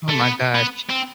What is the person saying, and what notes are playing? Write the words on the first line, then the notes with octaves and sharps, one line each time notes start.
Oh my gosh.
A3
B3
B3
C4